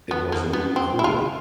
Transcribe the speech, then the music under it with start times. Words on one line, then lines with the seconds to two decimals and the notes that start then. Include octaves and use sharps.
It was really cool.
0.11 B3
0.32 A#3
0.53 B3
0.76 C4
0.99 E4
1.04 F4